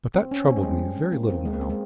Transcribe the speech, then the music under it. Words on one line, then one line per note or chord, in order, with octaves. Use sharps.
But that troubled me very little now.
C4
C#4
C4
G3
G#3
A#3
C4
G#3
A#3
C4
G#3